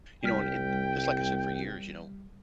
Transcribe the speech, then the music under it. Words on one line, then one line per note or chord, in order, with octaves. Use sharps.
You know, and and d just like I said for years, you know,
C2 G3 G5 F6 B6